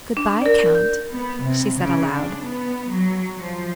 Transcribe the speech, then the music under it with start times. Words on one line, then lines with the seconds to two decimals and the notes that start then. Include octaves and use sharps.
"Good-bye, Count," she said aloud.
0.17 D4
0.42 A#4 D5
0.75 G6
1.11 B3
1.43 C3
1.76 C#3
2.15 D4
2.46 B3
2.94 F#3
3.40 F3